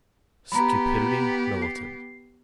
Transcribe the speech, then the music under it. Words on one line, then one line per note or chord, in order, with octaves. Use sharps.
Stupidity militant.
B3 G4 A#5 B5
C7